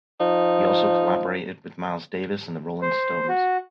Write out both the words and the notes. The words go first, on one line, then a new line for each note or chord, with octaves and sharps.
He also collaborated with Miles Davis and the Rolling Stones.
F3 D#4
C5
F#4